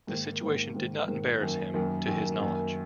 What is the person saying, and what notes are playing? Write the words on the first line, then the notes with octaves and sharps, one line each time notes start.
The situation did not embarrass him, to his knowledge.
G#2 D#3 A#3
G#2 D#3 A#3
G#2 D#3 A#3
G#2 D#3 A#3
F#2 D#3 A#3
F#2 D#3 A#3
F#2 D#3 A#3
F#2 D#3 A#3